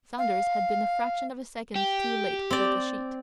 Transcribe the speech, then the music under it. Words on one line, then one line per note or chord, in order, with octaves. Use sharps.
Saunders had been a fraction of a second too late with the sheet.
F5
G4
C4 D5